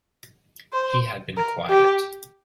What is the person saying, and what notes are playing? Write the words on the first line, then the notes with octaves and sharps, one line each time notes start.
He had been quiet.
C5
A#4
G4